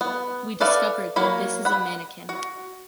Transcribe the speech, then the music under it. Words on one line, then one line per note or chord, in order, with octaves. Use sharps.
We discovered that this is a mannequin.
B3
A4 B4 D5 E5 F5
F#3 A#3 B5
F#5 B5
F#4